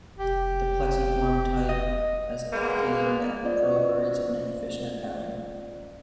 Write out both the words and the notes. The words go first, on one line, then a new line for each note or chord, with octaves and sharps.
The plexiform type has epithelium that proliferates in a "Fish Net Pattern".
F1 G4
D#5
G#3 A#3 B3
C#4 F4 C5 D5 D#5